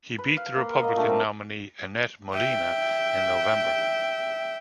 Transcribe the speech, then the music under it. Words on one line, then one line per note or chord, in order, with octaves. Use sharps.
He beat the Republican nominee Annette Molina in November.
B4
F5
A#3
A#3 B3 D#5
A#2 A3 D4
G3 C4
E5 G5